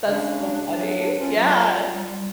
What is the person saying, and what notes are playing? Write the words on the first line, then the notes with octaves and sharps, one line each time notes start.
That's so funny, yeah,
C#3 G#3 D4
F#3
C#4 F4
F#3
G3